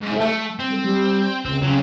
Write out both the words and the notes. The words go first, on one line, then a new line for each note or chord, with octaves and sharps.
I love watching.
G#2
A3
C4
G3
C#2 C4
C#3 F#3 C4